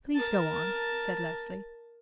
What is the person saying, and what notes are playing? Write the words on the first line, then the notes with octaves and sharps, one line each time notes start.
"Please, go on," said Leslie.
A#4 A5